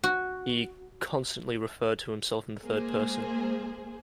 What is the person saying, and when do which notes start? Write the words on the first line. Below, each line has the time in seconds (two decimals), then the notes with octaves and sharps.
He constantly referred to himself in the third person.
0.04 F#4
2.62 G#3 A#3 G#4 C5